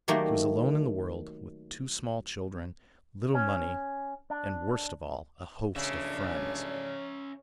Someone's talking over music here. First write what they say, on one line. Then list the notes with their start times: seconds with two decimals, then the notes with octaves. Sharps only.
She was alone in the world, with two small children, little money, and, worst of all, a host of friends.
0.08 D#3 F#3 A3 A#3 G4
3.34 C#4
4.30 D4
5.76 A1 F#2 C#3 C#4 D4 C#5 E5